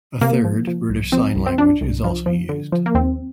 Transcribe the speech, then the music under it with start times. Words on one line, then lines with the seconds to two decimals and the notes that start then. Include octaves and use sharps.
A third, British Sign Language is also used.
0.21 C3 A#3
0.45 F3
0.67 F3
0.89 C2
1.12 F3 C4
1.35 C2
1.46 C4
1.58 F3 D4
1.81 C2
2.04 F3
2.26 F3
2.49 D3
2.72 F3
2.86 A#3
2.95 D#2 C4